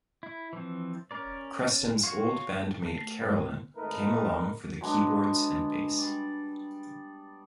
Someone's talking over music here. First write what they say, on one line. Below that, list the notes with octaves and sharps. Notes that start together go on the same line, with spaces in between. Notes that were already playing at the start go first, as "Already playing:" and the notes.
Creston's old band mate Carolyn came along for the keyboards and bass.
E4
E3 F3 C4
C#4 A#4 D5
F4 F#4 C#5
A5
A3
G#2 C#4 B4
A2 C3
G#1 A3 D#4 A#4 B4
F#3 G#3 B3 D4
G3 D5